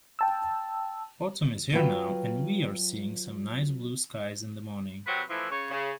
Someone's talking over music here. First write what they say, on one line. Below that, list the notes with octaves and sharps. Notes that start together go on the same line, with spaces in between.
Autumn is here now, and we are seeing some nice blue skies in the morning.
G5 A5 E6
F#3 F4 B4 G5
C3 F#3 C4 B4
E3 F3 A3 E4
C#3 C#5
C#3